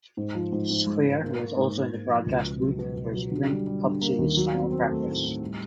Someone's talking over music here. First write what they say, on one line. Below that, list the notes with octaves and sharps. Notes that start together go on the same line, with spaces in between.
Squier was also in the broadcast booth for Sprint Cup Series final practice.
G#2
F3
G#2
G#2
G#3
G#2
A#3
A#3
G#2
A#3
G#2
F3
C#2
B2
F#3
B2
B2
F#3
D3
G3
G3
D3
A#3
D#2
F#3
C4
C4
A3
A2
A2
G3